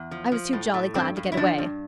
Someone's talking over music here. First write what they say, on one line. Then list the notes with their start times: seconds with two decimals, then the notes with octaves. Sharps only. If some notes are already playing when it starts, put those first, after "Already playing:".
I was too jolly glad to get away.
Already playing: E2
0.11 F3
0.32 F3
0.53 A2
0.74 A2
0.95 G2 C4
1.17 G2
1.32 E4
1.37 F3 D4
1.58 G2